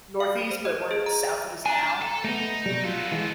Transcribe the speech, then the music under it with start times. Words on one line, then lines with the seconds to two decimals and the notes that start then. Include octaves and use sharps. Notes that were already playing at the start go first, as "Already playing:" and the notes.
Northeast, but we're Southeast now.
0.20 F5
0.51 C5
0.65 D#5
0.91 G#4
1.06 A#5
1.66 D4 G#5 A#5
2.01 A4
2.24 A3 B3 D#4
2.66 B2 F#3 G3
2.85 B3 F4 A4
3.12 E3 G#3